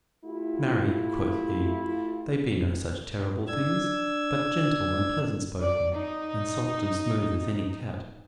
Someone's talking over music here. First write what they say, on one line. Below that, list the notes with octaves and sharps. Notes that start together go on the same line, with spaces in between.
"Marry!" quoth he, "they be no such terrible things, but gentle and pleasant spoken, and soft and smooth as any cat."
A3 E4 F4 G4
D4 E6 G#6
D5
D#4